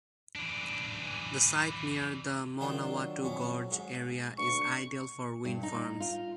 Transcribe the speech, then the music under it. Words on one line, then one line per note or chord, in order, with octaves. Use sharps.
The site near the Manawatu Gorge area is ideal for wind farms.
E3 D4
D#3 F#3 D4 F4
F2 C#4
G#2
D2 C#6
G2
D#4
F4